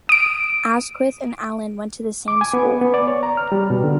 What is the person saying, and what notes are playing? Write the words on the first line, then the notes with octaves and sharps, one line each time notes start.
Asquith and Allen went to the same school.
D#6 D7
D6
G#5
B3
B3
D5
C#5
A#5
F6
G3
B2
D3